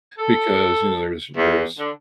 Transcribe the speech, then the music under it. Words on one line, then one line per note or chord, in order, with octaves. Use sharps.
because, you know, there is there is
A4
E2
D3